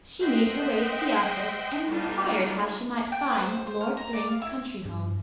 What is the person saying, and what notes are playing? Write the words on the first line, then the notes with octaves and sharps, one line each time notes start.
She made her way to the office and inquired how she might find Lord Thryng's country home.
C5 D#5 E5 F#5 G5
G3 A3 B3 D4 D#4 F4
G5
B4
C5
C5
F6
A#5
D5
F5
E4
G2